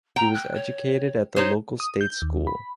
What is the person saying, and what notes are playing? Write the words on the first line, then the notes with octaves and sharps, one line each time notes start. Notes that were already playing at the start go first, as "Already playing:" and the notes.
He was educated at the local state school.
G5 A#5
F#6
C#5
D#4 C5 C#5
D#6
G6
D#2
B5